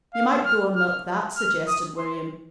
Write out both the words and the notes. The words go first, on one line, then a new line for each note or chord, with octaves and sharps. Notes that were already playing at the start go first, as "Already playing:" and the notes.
"You might go an' milk that," suggested William.
F5
F6
F6
F6
D#6
C6